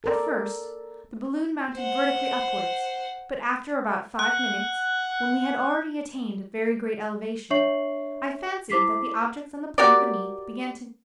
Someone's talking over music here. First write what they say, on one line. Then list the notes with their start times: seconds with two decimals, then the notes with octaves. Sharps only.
At first, the balloon mounted vertically upwards, but after about five minutes, when we had already attained a very great elevation, I fancied that the objects on the plain beneath began to move from under me.
0.04 A4 A#4 D5
1.74 C5 F#5
4.19 F#5 F#6
7.50 D4 C#5 E5 C#6 C7 F#7
8.70 E4 C5 D6 B6 C7
9.78 F#4 G4 A#4 D5